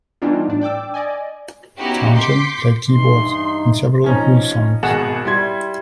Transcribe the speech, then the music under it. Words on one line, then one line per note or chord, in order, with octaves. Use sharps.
Townshend played keyboards on several Who songs.
E3 G3 B3 D4 D#4 F4
A2 D4
D5 G5 D6 E6
D5 D#5 G#5
B3 C#4 D#4 E4 F#4 G4
C6 D6 G6 B6 C#7
G2 E3 D#4 C6
F3 C#4 D#4
G#1 B2 G#4 F#5 E7
G3 E4 C6 G#6